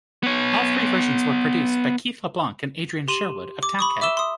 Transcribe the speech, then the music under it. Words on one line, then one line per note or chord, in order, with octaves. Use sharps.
All three versions were produced by Keith LeBlanc and Adrian Sherwood of Tackhead.
B3 C#5
G4 C6 D#7 E7 F#7
D6
B5 C#6 D#6
E5 D6 E6 E7 G7
C6 D#6